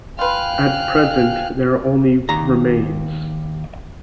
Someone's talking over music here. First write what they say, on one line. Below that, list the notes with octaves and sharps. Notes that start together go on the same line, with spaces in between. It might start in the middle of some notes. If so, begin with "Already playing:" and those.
At present, there are only remains.
F4 B4 F5 G5 G#5 F6 F#6
D#2 A#5